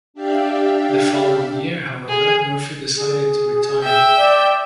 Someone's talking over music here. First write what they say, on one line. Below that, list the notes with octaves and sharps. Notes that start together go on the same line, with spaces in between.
The following year, however, Murphy decided to retire.
D4 G4 D5 E5 F5 G5
G#4
G#4
E5 G5 G6
D5